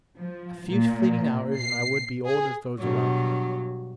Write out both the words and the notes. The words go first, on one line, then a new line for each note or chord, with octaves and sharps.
A few fleeting hours and I would be old as those around me.
F3
A#2
C7
G#4
G2 B2 F#3